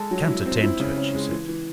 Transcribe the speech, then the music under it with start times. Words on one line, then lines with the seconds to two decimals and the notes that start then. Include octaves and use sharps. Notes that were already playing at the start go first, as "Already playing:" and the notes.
"I can't attend to it," she said.
Already playing: G#3 A4
0.11 F#3
0.28 E4
0.46 C4
0.63 E4
0.80 C#3
0.98 C#4
1.14 G#3
1.31 E3
1.48 E3